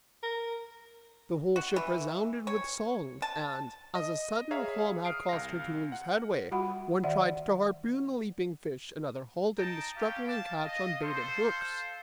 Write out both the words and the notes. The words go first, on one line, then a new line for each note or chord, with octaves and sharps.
The whole ship resounded with song and, as a sudden calm had caused her to lose headway, one tried to harpoon the leaping fish, another hauled in the struggling catch on baited hooks.
A#4
F#4
E3
C#5
A5
D#5
G#4 C#5 E5 F5 A#5
D#6 F6 C7 D7
C2 F5 A#6
F#5
G3 F4 F#4 F#5 B5
D#3 D5 E5 F#5
D#4 G5 A5 A#5
C#4 G4 F5
A5
D#5
A4 C5 C6
F5